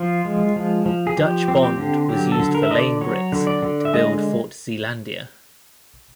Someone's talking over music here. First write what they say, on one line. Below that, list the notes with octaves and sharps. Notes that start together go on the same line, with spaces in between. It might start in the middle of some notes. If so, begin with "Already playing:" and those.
Dutch bond was used for laying bricks to build Fort Zeelandia.
Already playing: F3 F4
G#3
F3
F3
G#4
F3 G4
C4
G4
D3
F#3 G4
A4
D3
A#4
E5
D3 D#5
D5
F#3 C#5
D3
D5
D3
E5
G#3 D#5